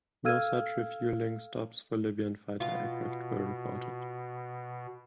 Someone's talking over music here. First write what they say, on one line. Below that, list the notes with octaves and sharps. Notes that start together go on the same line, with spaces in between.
No such refueling stops for Libyan fighter aircraft were reported.
A4 F5 E6 F6 G#6 D#7
B2 F4